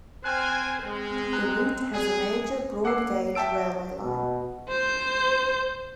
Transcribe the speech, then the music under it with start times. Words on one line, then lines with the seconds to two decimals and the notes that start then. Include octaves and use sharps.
The route has a major broad gauge railway line.
0.24 C4 C5 G#5 F6 F#6
0.82 G#3 C4
1.33 A#5 F#6
1.93 G#4
2.84 A#3 F#5 D6 E6 C7
3.35 E5 G5 A5 E6 D7
4.02 B2
4.69 C5 G6